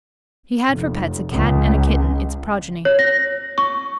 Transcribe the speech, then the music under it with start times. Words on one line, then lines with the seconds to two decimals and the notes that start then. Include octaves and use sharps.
He had for pets a Cat and a kitten, its progeny.
0.72 F1
1.33 C#2
2.85 C#5
2.99 A#6
3.58 C#6